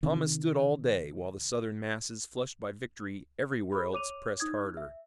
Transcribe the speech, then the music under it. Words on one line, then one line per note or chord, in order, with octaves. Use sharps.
Thomas stood all day, while the Southern masses, flushed by victory everywhere else, pressed harder.
C3 D#3
G#4 B4 B5
C#5 D6 D#7 F7
D#4 D#6 G#6
E5